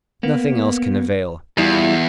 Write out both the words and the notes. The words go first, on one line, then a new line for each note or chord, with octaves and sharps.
Nothing else can avail.
A#3 B3
E2 G3 E4 F4